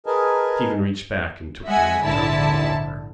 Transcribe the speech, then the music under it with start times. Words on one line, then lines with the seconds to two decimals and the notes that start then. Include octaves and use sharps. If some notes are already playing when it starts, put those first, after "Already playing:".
Stephen reached back and took the milkjug from the locker.
0.06 G#4 A#4 B4 D#5 G#5 A5
1.65 G#3 E5 F#5 G#5
2.03 A#1 G#2 D3 E4 A5